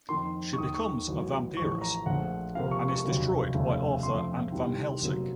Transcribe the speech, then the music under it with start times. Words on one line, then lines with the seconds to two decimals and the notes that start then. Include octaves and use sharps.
She becomes a vampiress and is destroyed by Arthur and Van-Helsing.
0.09 F2 D#3 A#3 C6
0.53 C#6
0.58 D#2 D#3 A#3 D#6
0.74 C#6
1.08 A1 A2 F#3
1.57 A1 A2 F3 C#6
1.81 A#5
2.06 A#1 A#2 F3 A3 F#5
2.55 C#2 C3 F3 A#3 F5
2.71 C#6
2.89 C#6
3.04 F1 D#2 C#3 F#3 A#3
3.54 F1 D#2 C#3 F3 A3
4.03 F2 C#3 F3 A3 C6
4.52 C2 C3 D#3
5.02 F1 F2 C#3 F#3 A#3